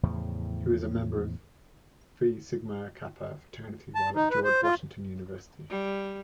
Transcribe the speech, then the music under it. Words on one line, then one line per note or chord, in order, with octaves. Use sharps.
He was a member of Phi Sigma Kappa fraternity while at George Washington University.
E2 A2 C#3 F3
A5
D#4
B4
C5
F4
G3